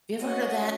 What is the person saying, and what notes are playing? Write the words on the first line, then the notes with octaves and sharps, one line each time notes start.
you ever heard of that
C#4 F#4 D#5